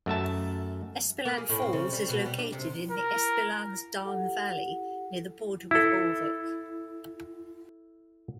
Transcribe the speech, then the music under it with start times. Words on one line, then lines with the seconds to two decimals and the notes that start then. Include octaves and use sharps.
Espeland Falls is located in the Espelandsdalen valley near the border with Ulvik.
0.06 F#2 A3 E5 A5
1.25 A#3
1.38 G#4
1.49 A2
1.62 C4
1.73 C#3
1.93 G3
2.09 B2
2.26 G3
2.39 D4
2.52 C3
2.91 A#4
4.03 G4 A4 F#5
5.71 E4 A4